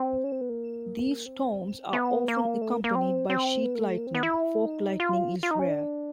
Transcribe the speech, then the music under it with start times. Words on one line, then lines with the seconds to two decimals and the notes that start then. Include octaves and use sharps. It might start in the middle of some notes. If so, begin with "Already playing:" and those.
These storms are often accompanied by sheet lightning; fork lightning is rare.
Already playing: C4
0.24 C#4
0.32 C4
0.41 B3
0.49 A#3
1.26 C4
1.93 B3
2.28 A#3
2.61 A3
2.74 A#3
2.84 A#3
2.95 C4
3.30 C4
3.64 B3
3.75 A#3
3.86 A3
3.98 A#3
4.07 C4
4.15 B3
4.23 E4
4.66 D#4
5.00 F4
5.43 F4
5.51 D#4
5.59 C#4
5.68 D4